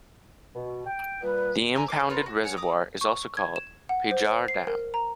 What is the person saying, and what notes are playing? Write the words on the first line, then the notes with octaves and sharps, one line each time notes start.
The impounded reservoir is also called Pejar Dam.
B2
G5
A#2 G3 B4
E5 G#5 A#5
A4 C5 D6
F4 A#4 B4 C#5
F#4
C#5 F#5 G#5
A#5 D6 D#6
C#6
G#6
E7
F#5
C5
C7
A#4
A#5